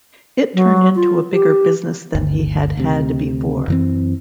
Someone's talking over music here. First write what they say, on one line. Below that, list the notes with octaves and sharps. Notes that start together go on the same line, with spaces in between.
It turned into a bigger business than he had had before.
F#3
F4
G4
G1 D2
D2 C3
F#2 E3 C4